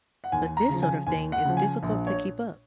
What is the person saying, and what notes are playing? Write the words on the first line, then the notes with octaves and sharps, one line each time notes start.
But this sort of thing is difficult to keep up.
F#5
D#2 G#5
A#5
C#3 F3
G#5
D#2 G#5
F#5
C#3 F3
G#5
A#1
C#5